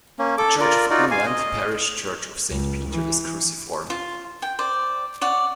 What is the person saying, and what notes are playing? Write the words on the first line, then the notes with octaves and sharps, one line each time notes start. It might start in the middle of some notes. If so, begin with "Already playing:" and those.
The Church of England parish church of Saint Peter is cruciform.
A#3 C#4
A4 D6
F4 A#4 D5
D#4 F4 F#4 D5
F5 G#5
D#5
C#2
E3
F4
G5
C5 D5
C#5 D5 F#5